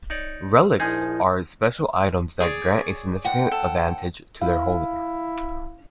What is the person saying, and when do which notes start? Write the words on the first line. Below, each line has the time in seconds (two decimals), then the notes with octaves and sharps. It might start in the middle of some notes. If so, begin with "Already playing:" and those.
Relics are special items that grant a significant advantage to their holder.
0.10 D#4 C#5 D5
0.80 A#1 F3 D#4 E4 G#4
2.40 G#4 C#5 D5
3.24 G#2 F#5 G5
3.51 A4
4.42 E4 F5